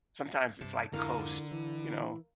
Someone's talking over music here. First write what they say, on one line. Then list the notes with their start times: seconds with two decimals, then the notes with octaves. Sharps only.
Sometimes it's like coast, you know,
0.61 G2 C3 A5
0.93 F2 G#2 D3 E4 A#4 F5
1.51 E3 E4